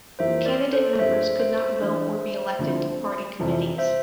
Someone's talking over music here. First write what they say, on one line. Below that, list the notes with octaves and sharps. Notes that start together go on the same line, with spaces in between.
Candidate members could not vote or be elected to party committees.
F2 E3 A#3 E4 G4 C5 E5
A#4 D5
A4 C5
G2 F3 C4 G4 C5 E5
C5 E5
E3 G3 D4
D2 D3 F3 C4 E4
F2 C3 E3 G3
C5 E5